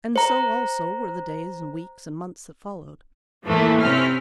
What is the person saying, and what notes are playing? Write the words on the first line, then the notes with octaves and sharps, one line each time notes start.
And so also were the days and weeks and months that followed.
C5 A#5
E2 A2 E3 F3 A3 A#3
C3 C4 C#4 E4 F6 B6